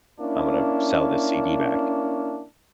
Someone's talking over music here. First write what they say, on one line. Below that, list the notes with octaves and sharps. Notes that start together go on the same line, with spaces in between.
"I'm gonna b sell this CD back."
A#3 C#4 D4 E4